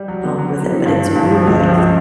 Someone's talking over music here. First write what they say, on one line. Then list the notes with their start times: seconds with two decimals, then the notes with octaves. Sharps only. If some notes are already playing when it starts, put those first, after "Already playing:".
um, with it, but it's roommates
Already playing: G3
0.08 F#3
0.24 B3
0.38 F#3
0.54 B3
0.70 E3
0.85 G2
1.01 E3
1.16 G2
1.31 F3
1.47 C#2
1.62 F3
1.77 C#3